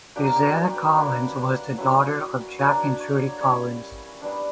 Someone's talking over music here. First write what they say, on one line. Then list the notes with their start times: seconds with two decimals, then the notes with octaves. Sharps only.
Suzanne Collins was the daughter of Jack and Trudy Collins.
0.16 F#3 A#3 D4 G4
0.27 A#4
0.36 G4
0.56 A#4
0.76 B4
0.97 A#3 D4
1.78 F#3 C#4 E4
2.59 F#3 A#3 D4 C#5
3.00 C#5
3.40 G3 C#4 E4 C#5
4.22 G3 B3 D4